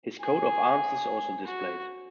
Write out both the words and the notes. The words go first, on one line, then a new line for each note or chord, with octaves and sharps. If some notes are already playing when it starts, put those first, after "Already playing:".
His coat of arms is also displayed.
G#4
F#4